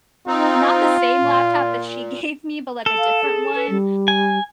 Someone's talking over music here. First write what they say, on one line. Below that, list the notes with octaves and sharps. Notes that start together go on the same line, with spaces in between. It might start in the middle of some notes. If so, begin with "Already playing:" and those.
n not the same laptop that she gave me, but, like, a different one.
C4 D#4 F4
A#2
A4
F5
G#4
B4
G3
G#5